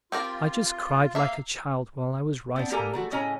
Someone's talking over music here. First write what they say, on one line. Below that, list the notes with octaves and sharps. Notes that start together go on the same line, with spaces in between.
I just cried like a child while I was writing it.
C4 F4 G4 A#4
A#3 E5 F5
B3 C4 D4
A#3 G4 A4 A#4 G#5 A#5
G#3 A3 F#4
A2 C#3 C#4 D#5 G#5 A#5